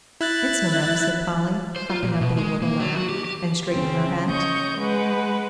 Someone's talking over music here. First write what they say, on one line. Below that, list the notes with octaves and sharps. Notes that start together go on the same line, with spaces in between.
"It's no matter," said Polly, hopping up with a little laugh, and straightening her hat.
E4 F#6 A6
C5
F4
A#2
B2
G#3
A#3
F#3
F#4
G4
G4
C#3 C4
C#5 D#5 C#6 G6
G#3 B4 F#5